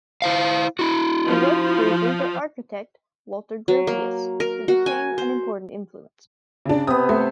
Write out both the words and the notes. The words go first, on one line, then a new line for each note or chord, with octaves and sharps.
He worked briefly for architect Walter Gropius, who became an important influence.
E4 C5 F5
E4 F#4
F3
F#3
A#3
A#4
F#4
G#5
C5
C#3 D4
C3 B3 D#6
A3 C5